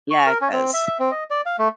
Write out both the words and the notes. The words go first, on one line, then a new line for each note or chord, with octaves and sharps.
Yeah, it does.
C#6
A#4
C#4
C4
E5
E5
C4
D#5
D5
F5
A3